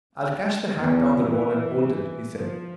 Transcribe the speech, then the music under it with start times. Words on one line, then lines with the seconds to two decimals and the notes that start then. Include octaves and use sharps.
"I'll catch the hack down the road and hold it," he said.
0.77 E2
1.23 E3
2.32 F3